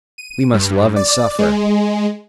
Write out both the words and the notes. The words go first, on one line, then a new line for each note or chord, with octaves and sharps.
We must love and suffer....
D#7
G2
D5
G#3